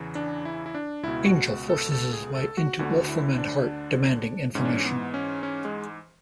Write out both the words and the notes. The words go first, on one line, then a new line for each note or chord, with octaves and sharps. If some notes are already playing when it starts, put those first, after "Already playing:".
Angel forces his way into Wolfram and Hart, demanding information.
Already playing: E2 C#3 E3
D4
E4
E4
D4
C#2 B2 E4
F#4
F#4
A4
A4
G#4
A4
F#4
D2 D3 F#4
E4
D4
G#2 E3 C#4
D4
C#4
B3
C#4
C#4
G#3